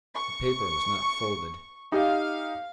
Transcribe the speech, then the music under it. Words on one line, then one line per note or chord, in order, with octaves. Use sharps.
The paper was not folded.
C#6
D#4 G4 D#5 F5